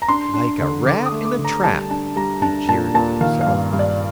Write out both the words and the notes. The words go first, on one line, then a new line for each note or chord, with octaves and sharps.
"Like a rat in a trap!" he jeered at himself.
A#5
D4 C6
D4
D3
D3 D6
D#6
A3
D6
D3
A#5
G3 A5
D4 A5
G3 A#5
D4 A5
A#2 A5
A#2 A5
D#3 F5
F5
G2
G2
D5